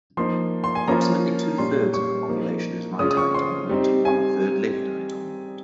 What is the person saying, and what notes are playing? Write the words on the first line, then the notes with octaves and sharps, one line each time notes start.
Approximately two-thirds of the population is right-eye dominant and one-third left-eye dominant.
F3 A#3 D#4 C6
C6
G#5
F3 A#3 C#4 F4 A#5
A#2 G3 C#4 C6
C#6
F3 A#3 D#4
C#3 G#3 C#4 F4 D#6
D#6
C#6
C6
G3 C4 D#4
G#5